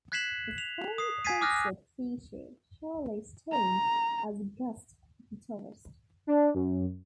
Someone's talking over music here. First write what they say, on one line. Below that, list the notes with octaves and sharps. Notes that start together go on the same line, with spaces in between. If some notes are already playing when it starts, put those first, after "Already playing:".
The final concert featured Charley Stone as guest guitarist.
F#6 G#6 B6 C7 E7 F#7
F7
D#6 C7
G#5 G#6 A6 B6 C7 D#7
D6 D#6 F6 F#6 A#6
A#5
D4
F#2